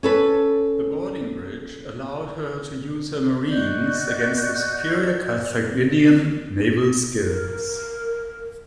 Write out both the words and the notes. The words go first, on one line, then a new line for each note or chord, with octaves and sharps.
The boarding-bridge allowed her to use her marines against the superior Carthaginian naval skills.
C#4 A4 B4
F#4 D5 D#5 G6
A#4